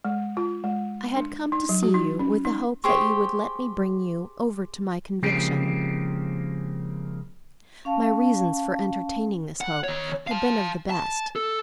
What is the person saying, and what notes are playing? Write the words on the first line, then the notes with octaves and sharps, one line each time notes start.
I had come to see you with the hope that you would let me bring you over to my conviction; my reasons for entertaining this hope had been of the best.
G#3
F4
G#3
D4
D#4
F#3
F#4
D#4
C#4
D#4
G4 G#4 C5 C#6
C#3 F3 G#3 A#3 C4 G4
C#4 F5 A5
F#5
D#3 C#5
F5 A5
A5
A4